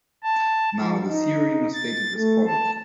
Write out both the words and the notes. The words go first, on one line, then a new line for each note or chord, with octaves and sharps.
Now the theorem is stated as follows.
A5
F3
D#4
A6
A3
A5